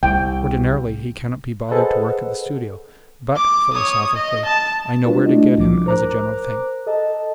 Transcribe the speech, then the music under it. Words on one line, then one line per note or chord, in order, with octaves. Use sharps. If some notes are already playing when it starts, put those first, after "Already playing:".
Ordinarily he cannot be bothered to work at the studio. But"--philosophically--"I know where to get him as a general thing.
C2 G5
G#4 A4 B4 C5 D#5 F#5
D6
C#5 D#6
D#5
A5
G#3 D4 F4 F#4 B4
A3 D4 E4 F#4 D#5
C2 F3 D6
A#4 C5 A#5 D6 F#6
A4 D#5 A5